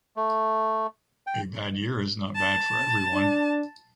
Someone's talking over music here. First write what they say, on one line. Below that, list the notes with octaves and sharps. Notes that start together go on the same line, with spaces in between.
A bad year is not bad for everyone.
A3
G5
A5
D4